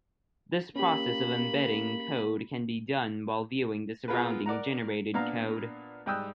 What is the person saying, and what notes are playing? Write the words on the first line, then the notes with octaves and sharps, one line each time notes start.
This process of embedding code can be done while viewing the surrounding generated code.
A#3 C#4 G4 B5
B3 F4 G#4 A#4 B4
A#4 D5 F#5 A#5
A#2 B3 D4 F5 A#5
G#2 G3 G5 D#6 E6 F#6